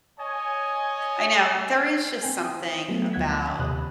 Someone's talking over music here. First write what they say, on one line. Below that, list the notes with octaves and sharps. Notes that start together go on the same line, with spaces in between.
I know, there is just something about
C#5 D#5 G#5
C4 C5 G5 G#5
C5 G5 D#6
F#3 A3 B3
D2 F3 F#5 F#6 G#6 B6
D#2 C3 C4 B5 D#6 F#6